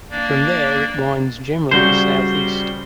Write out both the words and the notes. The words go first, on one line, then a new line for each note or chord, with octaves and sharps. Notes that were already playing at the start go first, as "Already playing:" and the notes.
From there it winds generally south-east.
A#3 D4 D5
C#3 G3 F#4 C5